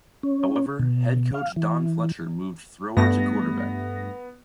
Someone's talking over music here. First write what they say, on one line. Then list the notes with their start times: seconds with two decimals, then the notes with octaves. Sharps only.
However, head coach Don Fletcher moved Thrower to quarterback.
0.23 C#4
0.79 B2
1.34 F5
1.56 E3
2.97 G2 A3 B3 A#6